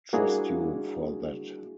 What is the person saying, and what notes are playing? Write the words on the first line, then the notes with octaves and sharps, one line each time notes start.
Trust you for that!
G3 A#3 D4 E4 F#4 G#4